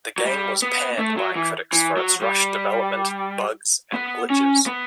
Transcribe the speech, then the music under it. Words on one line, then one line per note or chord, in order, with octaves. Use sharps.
The game was panned by critics for its rushed development, bugs and glitches.
F#3
G3
B3
A3
F#3
E3
E3
F#3
G3
B3
C#4
B3